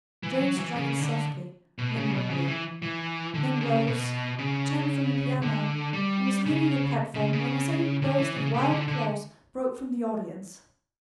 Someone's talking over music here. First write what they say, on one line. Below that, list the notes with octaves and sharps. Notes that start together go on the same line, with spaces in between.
Jane struck it softly, lingeringly; then rose, turned from the piano, and was leaving the platform, when a sudden burst of wild applause broke from the audience.
E3
F#3
E3
C#3
D3
B2
C#3
B2
C#3
E3
E3
D3
C#3
B2
C#3
D3
G3
C#3
C#3
C#3
D3
E3
C#3
C#3
D3
D3